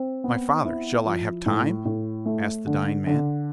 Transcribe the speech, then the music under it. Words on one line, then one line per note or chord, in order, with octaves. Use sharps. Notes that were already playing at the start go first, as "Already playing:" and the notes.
"My father, shall I have time?" asked the dying man.
Already playing: C4
B3
E4
F3
A2
A2
A3
D3
D3